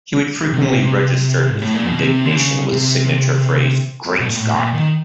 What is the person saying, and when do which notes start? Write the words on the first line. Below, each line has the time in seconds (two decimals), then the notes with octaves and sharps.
He would frequently register his indignation with signature phrase Great Scott!
0.53 C3
1.50 G#2
1.62 A2
1.74 A#2
1.86 B2
1.99 C3
2.25 D3
2.36 C#3
2.72 C3
4.20 B2
4.30 A#2
4.38 A2
4.55 A#2
4.74 D#3